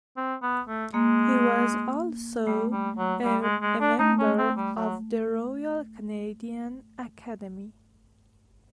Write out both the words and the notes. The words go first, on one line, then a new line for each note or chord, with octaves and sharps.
He was also a member of the Royal Canadian Academy.
C4
B3
A3
G#3 A#3
G3 A3
G3
F#3
G3
G#3
G#3
D4
A3 D#4
C#4
C4
G3
F#3